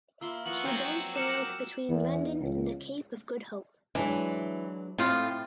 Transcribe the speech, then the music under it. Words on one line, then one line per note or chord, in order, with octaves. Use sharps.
She then sailed between London and the Cape of Good Hope.
A#3 E4 F4 E6 G7
F3 B3 E4 F#4 A#4 F#5 F#7
F#3 C4
A#4 F#5 G5 A#5 D6 C#7 E7
E2
C#2
E3 F#3 G#3 D4
A2 C4 E4 F4 G4